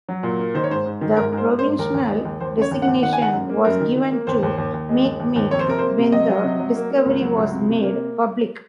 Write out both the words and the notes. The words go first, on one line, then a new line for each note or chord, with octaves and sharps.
The provisional designation was given to Makemake when the discovery was made public.
F#3
A#2
A#3
D#3 C5
C#5
G#2 C5
G#2
D#3
G#2 A#4
G#2 A#4
C5
A#3
C5
G#2
D#2 A#4
D#2
G#3
D#2
D#2 C5
C#3
C#5
D#2
F#5
D#2
D#3 F#5
G#5
D#3 F#5
F#2
A#3
F#2 A#4
D#3
D#3
A#3
D#2 C5
D#2
D#2
D#2
G#3
D#2
D#2
D#2
F2 C#5
C5
C3 A#4
A#3 C5
C3
F#3 D#5
F#3
C3
F#3
A#3
A#3
C#2
F#3
C#2
C3
C3
A#3